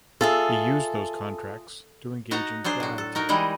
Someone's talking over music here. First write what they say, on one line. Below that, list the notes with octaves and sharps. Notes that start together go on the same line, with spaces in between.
He used those contracts to engage in fly tipping.
F4 G#4 A4 E5
D#4 F#4 A5 A#5
F#3 D4 G#4 C5
A2 F#4
A4
D#4 F#4 A#4
E3 G3 G#3 D#4 E4